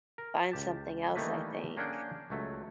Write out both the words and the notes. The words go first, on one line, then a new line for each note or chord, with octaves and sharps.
find something else, I think.
A#4
C#2 G4 A5
D#3 E3 G3 A3 A#3 B4
A#3 C#4 D4 G#4 F#5 G5
C#2 F#3 A3